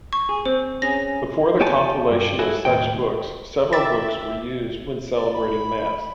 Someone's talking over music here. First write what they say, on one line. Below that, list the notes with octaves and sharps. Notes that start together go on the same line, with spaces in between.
Before the compilation of such books, several books were used when celebrating Mass.
C#6
G#4
C4 C5
C#4 G#4 A#6
B3 G4 C#5 G#5 A5
G2
E4 F#4 G#4 A4
D#2 A2 G5
G4 E5 D6 A6
D5
B5